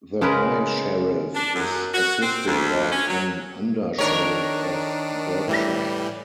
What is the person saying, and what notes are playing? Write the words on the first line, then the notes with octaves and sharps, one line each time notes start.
The High Sheriff is assisted by an Under-Sheriff of Berkshire.
C#3 G#3 A#4 B4
D4
F#2
F#4
C4
D2
C#4
F#3
D#3 D4 A#4 C#5
A2 E3 G3